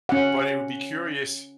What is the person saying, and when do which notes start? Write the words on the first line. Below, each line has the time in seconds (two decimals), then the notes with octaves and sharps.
but it would be curious
0.09 C#4 F#5